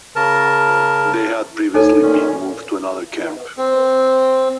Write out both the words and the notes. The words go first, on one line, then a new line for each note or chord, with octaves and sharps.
They had previously been moved to another camp.
C#3 A#4 A5
D2 D#4 A4 C#5 G#5
A#2 D#3 C#4
C4